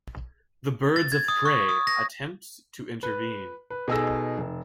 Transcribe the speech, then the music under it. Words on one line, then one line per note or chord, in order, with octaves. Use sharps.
The Birds of Prey attempt to intervene.
A6
G#6
D#6
C#6
D#6
A#6
B4
B4
B2 D#4 G#4 A4 E6 A#6
F1